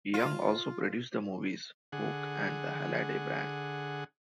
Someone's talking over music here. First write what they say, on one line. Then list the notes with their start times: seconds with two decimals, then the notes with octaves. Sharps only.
Young also produced the movies "Huk" and "The Halladay Brand".
0.14 F4
1.92 D3 G#4 F#5